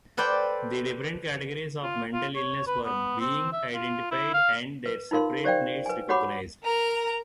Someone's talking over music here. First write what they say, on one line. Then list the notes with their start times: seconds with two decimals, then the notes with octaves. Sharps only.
The different categories of mental illness were being identified and their separate needs recognised.
0.17 A4 B4 C5 D5 G5
1.83 F4
2.13 F4
2.35 C#5
2.67 B4
2.85 B3
3.20 C4
3.52 E5
3.74 F4
4.11 E4
4.34 F5
4.86 B4
5.11 D#4 F4 A#4 F5 C6
5.44 G4 C5 D5 F5 G5
5.86 B4 G#5
6.09 F#4 G4 C#5 F#5 B5 D6
6.64 A#4 A#5